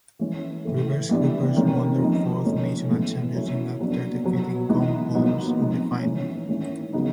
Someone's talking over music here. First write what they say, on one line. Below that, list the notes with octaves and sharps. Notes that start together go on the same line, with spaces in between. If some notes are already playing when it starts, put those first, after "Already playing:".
Rivers Hoopers won their fourth national championship after defeating Gombe Bulls in the final.
E3 G#3 C#4
A2 E3 A3
E3 G3 B3 D4
C3 D#3 G#3 C#4
F3 A#3 D#4
D3 F3 G#3 C#4
A2 E3 G#3 B3
F#3 A#3 C#4 E4
A#2 F#3 B3 D4
B2 F#3 B3
E3 G#3 B3 D#4
A#2 F#3 B3 D#4
F3 G#3 C4 D#4
E3 G#3 C#4
D#3 G#3 C#4 E4
C#3 F#3 B3 D#4